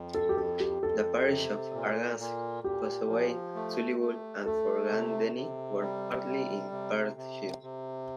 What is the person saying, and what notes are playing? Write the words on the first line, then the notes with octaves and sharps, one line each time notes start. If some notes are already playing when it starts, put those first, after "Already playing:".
The parishes of Arngask, Fossoway, Tulliebole and Forgandenny were partly in Perthshire.
Already playing: F2
A4
G4
F2 A4
G4
F2 A4
C3
A#2
A#2
A#2 G4
F3
A3
A3
A3 A4
C3
C3
G3
C3
C3
C3
C3